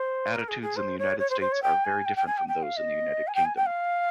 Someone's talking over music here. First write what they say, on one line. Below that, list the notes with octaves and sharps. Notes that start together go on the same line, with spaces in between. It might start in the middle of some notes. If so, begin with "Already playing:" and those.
Attitudes in the United States are very different from those in the United Kingdom.
Already playing: C5
A#4
G#4
G#4
C5
C#5
C#5
C5
C5
C#5
G5
G#5
G5
G5
G#5
G5
G5
F5
D#5
G#5
G5
G#5
G5
F5